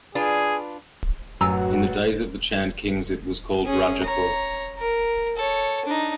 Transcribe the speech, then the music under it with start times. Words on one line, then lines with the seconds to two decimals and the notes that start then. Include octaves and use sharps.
In the days of the Chand Kings it was called Rajapur.
0.15 D4 F4 G#4 B4
1.41 A1 F#2 F#3 F#4 B4 G#5 A#5 E6
3.65 C#4 G#4
4.03 C#5 A#5
4.79 A#4
5.37 A4 C#5
5.85 D4 D#4